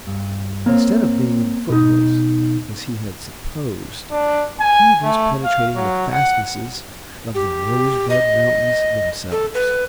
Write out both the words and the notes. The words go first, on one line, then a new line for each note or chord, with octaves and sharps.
Instead of being in the foothills as he had supposed, he was penetrating the fastnesses of the Rosebud Mountains themselves.
G2
A#3 C4 C#5
B2 D#4
D4
G#5
A3
F5
F#3
F#5
G4
D#5
A4
B4